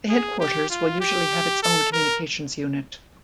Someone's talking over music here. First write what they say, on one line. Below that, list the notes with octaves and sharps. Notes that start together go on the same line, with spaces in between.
The headquarters will usually have its own communications unit.
G#4
G4
F4
G4
A4
A#4